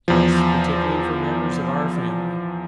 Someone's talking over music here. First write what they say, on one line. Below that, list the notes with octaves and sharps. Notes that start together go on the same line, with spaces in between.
"Yes. Particularly for members of our family."
E2 F3